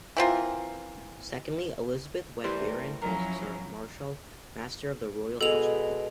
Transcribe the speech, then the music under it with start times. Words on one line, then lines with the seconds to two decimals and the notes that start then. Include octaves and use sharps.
Secondly, Elizabeth wed Baron Baltasar Marskalk, Master of the Royal Household.
0.17 E3 C4 F4 A#4
2.44 E3 G3 A3 A#4 C5
3.02 F3 F#3 C#4 E4 A#4 A#5
5.41 B2 G#3 G#4 A4 F7